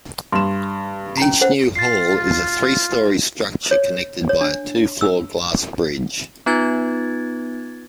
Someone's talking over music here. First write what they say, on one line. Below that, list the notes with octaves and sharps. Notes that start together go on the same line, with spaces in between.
Each new hall is a three-story structure connected by a two-floor glass bridge.
G2 C6 E7
C#4 A#5
B4 C5 F#5
F4 A6 C7
C#5
C#5
D4
E6
B3 D#4 F4 B4 G#6 A6